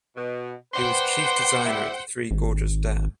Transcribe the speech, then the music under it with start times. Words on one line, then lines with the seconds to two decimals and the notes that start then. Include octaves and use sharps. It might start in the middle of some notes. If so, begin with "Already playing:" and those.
He was chief designer of the Three Gorges Dam.
0.17 B2
0.73 B4 C5 D5 F#5 G5 C6
1.66 G3 E4
2.31 G#1